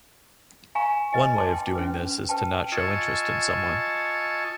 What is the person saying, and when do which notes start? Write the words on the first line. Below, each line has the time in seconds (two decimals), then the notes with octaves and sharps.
One way of doing this is to not show interest in someone.
0.75 F5 G#5 A#5 C#6
1.13 B4 D#5 G#5
1.36 A5 C6 D6
1.54 G5
1.75 C#4 B4
2.29 B4 G5 A5
2.72 F4 D#5 G#5 A5 C#6 E6